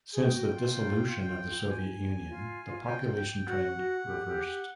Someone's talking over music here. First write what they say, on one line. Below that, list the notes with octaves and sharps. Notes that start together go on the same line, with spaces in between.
Since the dissolution of the Soviet Union, the population trend reversed.
G#4
G5
F#4
F4
G#5
F4
G5
G5
F#4 F#5
F#4
G4
G4
G4